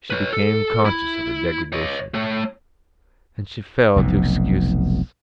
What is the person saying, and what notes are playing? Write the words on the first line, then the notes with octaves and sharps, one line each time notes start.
She became conscious of her degradation, and she fell to excuses.
B4 C#5
A4
E4
C#5 D#5
A3 C#5
F1 B1 B2